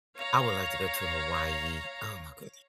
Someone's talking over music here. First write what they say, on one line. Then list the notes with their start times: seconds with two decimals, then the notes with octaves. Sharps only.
I would like to go to Hawaii, oh my goodness
0.17 C#5 F5 A#5